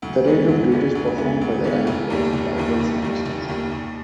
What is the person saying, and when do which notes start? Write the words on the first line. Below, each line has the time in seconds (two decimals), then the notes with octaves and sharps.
The range of duties performed by the rank was diverse and extensive.
0.02 D2
0.26 D3 G#3 B3
0.48 D2
0.72 D3 G#3 B3
0.95 D2
1.18 D3 G#3 B3
1.41 D2
1.64 D3 G#3 B3
1.87 F1
2.10 D#2 D#3 G3
2.33 F1
2.56 D#2 D#3 G3
2.79 F1
3.02 D#2 D#3 G3
3.26 F1
3.48 D#2 D#3 G3
3.71 D#2